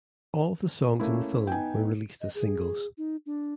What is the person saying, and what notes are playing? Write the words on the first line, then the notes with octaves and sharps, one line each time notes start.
All the songs in the film were released as singles.
A3 A#3 C#4 E4
B3 D#4 G5 G#5
D#5
G#4
D#4
D4